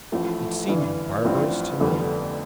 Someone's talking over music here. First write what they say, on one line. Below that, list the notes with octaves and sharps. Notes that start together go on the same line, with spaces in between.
It seemed barbarous to me.
A1 A2 F3 A3
G1 G2 E3
A1 G2 F3 C4 E4
F1 F2 D3 G3 B3